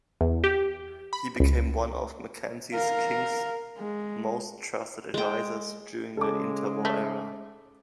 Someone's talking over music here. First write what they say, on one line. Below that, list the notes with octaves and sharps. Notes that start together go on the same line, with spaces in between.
He became one of Mackenzie King's most trusted advisors during the inter-war era.
E2
G4
B5
C#2
A#4 F5
G#3
G#3 G5
C#3 G#3 A4 D6
A3